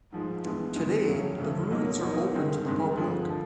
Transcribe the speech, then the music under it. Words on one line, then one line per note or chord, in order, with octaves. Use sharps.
Today, the ruins are open to the public.
G#2 F3 G#3
G2 E3 G#3 B3
G2 E3 G#3 B3
F2 C#3 F#3 A3
F2 C#3 F#3 A3
B2 F#3 A#3 D#4
B2 F#3 A#3 D#4
G2 D#3 G#3 C4
G2 D#3 G#3 C4
D3 F3 G#3
D3 F3